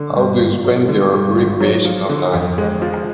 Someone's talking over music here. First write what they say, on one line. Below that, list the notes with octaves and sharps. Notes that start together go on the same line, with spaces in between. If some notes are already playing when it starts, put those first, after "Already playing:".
How do you spend your recreational time?
Already playing: D3
G2
G#1
F#3
D3
G2
G#1
F#3
F3
D3
F2
G#3
F3